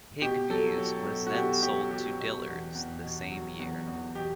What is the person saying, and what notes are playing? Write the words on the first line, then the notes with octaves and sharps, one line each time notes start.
Higbee's was then sold to Dillard's the same year.
B2 G4
F#3 A4
F#3
B2
F#4
B2 G4
F#3 G4
F#3 G4
B2
E2
E2
B2
F#3
E2
E2
B2 G4